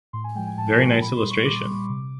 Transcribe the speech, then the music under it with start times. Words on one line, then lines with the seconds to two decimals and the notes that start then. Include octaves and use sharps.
Very nice illustration!
0.13 A2 C6
0.24 G#5
0.35 F3 G#3 G5
0.47 G#5
0.58 A2 A5
0.79 F3 G#3
1.01 A#2 B5
1.17 C6
1.23 G3
1.30 C#6
1.45 A#2 D6
1.67 G3
1.90 C3